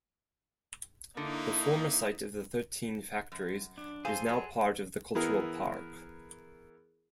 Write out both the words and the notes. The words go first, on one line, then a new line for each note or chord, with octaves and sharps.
The former site of the thirteen factories is now part of the Cultural Park.
D3 A#3 D#4 E4
F#2
D4
G#4 A4 C5 F5 G#5 C6
F#3
E3 B3 E4 G#4 A#4